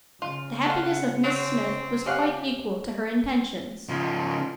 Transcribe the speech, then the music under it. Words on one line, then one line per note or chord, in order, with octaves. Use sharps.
The happiness of Miss Smith was quite equal to her intentions.
C#3 F4
A4 F5 F#5
C4 F#4 C#5
C#4 G4 F5 F#5
C#3 F3